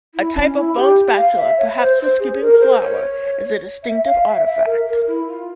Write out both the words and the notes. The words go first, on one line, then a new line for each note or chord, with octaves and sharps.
A type of bone spatula, perhaps for scooping flour, is a distinctive artifact.
E4
C#4
E4
G4
F5
E5
C#5
C5
C5
G#4
A#4
C5
C#5
E5
F5
E5
E5
A#4
A#4
E4
F4